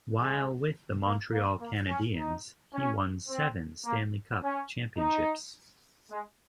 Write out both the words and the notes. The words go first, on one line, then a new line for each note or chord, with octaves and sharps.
While with the Montreal Canadiens, he won seven Stanley Cup championships.
G#3
A#3
A#3
A#3
C#4
D#4
C#4
C4
A#3
C#4
D#4
G#3